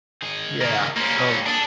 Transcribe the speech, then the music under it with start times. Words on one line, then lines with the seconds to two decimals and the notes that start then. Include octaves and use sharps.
Yeah, so
0.22 D#3 G#4
0.61 C#3 A#3
0.97 G3 A#3 C4 C#4
1.46 D4 G#4 A4